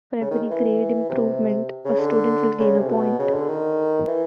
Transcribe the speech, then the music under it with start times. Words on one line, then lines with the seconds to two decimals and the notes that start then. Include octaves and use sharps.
For every grade improvement a student will gain a point.
0.21 C#3
0.31 D#3
0.51 E3
1.09 C3
1.85 C#3
1.99 D3
2.59 C#3
2.78 C3
2.89 B2
3.19 C#3
3.34 D3
3.48 D#3
4.08 E3